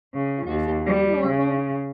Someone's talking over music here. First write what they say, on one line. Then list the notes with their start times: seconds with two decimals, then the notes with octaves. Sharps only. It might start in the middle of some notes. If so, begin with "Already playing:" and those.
and they seemed pretty normal,
0.14 C#3
0.47 D#2
0.86 G3
1.27 C#3